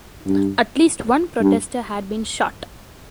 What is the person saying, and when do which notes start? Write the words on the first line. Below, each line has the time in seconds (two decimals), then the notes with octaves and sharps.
At least one protester had been shot.
0.27 G2
1.41 G2